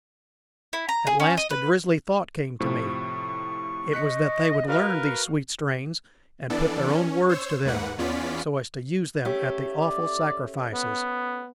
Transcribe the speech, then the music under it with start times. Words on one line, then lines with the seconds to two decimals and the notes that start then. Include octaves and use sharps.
At last a grisly thought came to me: it was that they would learn these sweet strains, and put their own words to them so as to use them at the awful sacrifices.
0.73 E4
0.89 A#5
1.07 G#4
1.20 C#4
1.37 D#5
1.50 B4
2.60 A2 C3 F3 C#6
3.93 D#5 F#6 B6 C#7
4.68 F#4 A#4 B4 F5 F6
6.50 E3 B3 D4 A4 D5
6.90 C#4
7.29 C5 C#5 E6
7.65 D#2 G#2 A#3 B4 F#5
7.98 E2 B3 C#4 F4 D5 B6
9.25 A3 C#4 G4
9.81 D5
10.73 B3